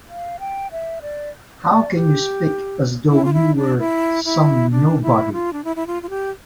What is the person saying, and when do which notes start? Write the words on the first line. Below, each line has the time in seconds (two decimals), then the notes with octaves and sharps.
How can you speak as though you were some nobody?
0.09 F5
0.40 G5
0.72 E5
1.02 D5
1.64 D5
1.94 G4
3.10 E4
3.25 F4
3.34 E4
3.56 D4
3.79 E4
4.25 E4
4.71 D4
5.02 E4
5.33 F4
5.53 D4
5.64 E4
5.76 E4
5.87 F4
6.02 F4
6.09 G4